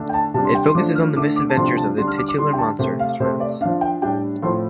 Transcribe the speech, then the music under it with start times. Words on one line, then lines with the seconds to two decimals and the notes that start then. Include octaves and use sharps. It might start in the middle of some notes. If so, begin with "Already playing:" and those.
It focuses on the misadventures of the titular monster and his friends.
Already playing: D3 A3 D4
0.09 G5
0.14 A5
0.34 C3 G3 D4 A5
0.44 C6
0.55 G5
0.65 C6
0.75 F3 A3 D4 D6
0.95 F6
1.16 D3 A3 D4 D6
1.36 D6
1.50 A5
1.56 C3 F3 A3 D4 C6
1.77 A5
1.98 D3 G3 D4 C6
2.08 F6
2.18 D6
2.28 D6
2.38 D3 G3 D4 C6
2.53 G5
2.59 A5
2.79 C3 A3 C4 C5
2.99 F5
3.20 C3 A3 C4 C5
3.40 D5
3.61 D4 F5
3.65 F3
3.81 G5
4.01 A2 G3 D4 G5
4.42 A2 F3 A3 C4 C6